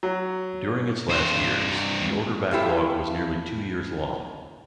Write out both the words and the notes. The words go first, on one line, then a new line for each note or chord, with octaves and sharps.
During its last years, the order backlog was nearly two years long.
F#3
G2 C5
E4 G4 A4 C5 F5